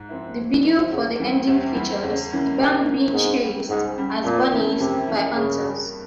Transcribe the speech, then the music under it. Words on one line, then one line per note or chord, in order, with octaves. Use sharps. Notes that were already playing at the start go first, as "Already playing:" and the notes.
The video for The Ending features the band being chased as bunnies by hunters.
Already playing: G#2
F3 C4 E4
G#2
F3 C4 E4
E2 C#3
E3 G3 C4
E2 C3
E3 G3 C4
E2 C#3
C#3 E3 A#3 C#4
E2 C3
C#3 E3 A#3 C#4
C#2 G#2
C#3 G3
C#2 G#2
C#3 G3
F2 A#2
E3 A#3 C#4 E4
F2 C3
E3 A#3 C#4 E4
G2 C#3
G3 A#3